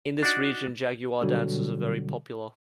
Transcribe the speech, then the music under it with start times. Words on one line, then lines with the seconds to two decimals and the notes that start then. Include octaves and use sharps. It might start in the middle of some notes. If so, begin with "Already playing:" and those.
In this region jaguar dances are very popular.
0.23 D4 D#4 F#4 D5
1.21 B2 D3 F#3 G3 B3 F#4